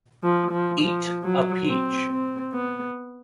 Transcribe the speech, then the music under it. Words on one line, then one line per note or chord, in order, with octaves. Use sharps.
Eat a peach.
F3
F3
F3
F#3
C4
C4
B3